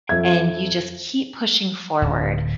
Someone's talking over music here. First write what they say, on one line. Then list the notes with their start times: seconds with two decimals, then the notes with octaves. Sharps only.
and you just keep pushing forward,
0.09 F2 E5 G#6
2.02 D1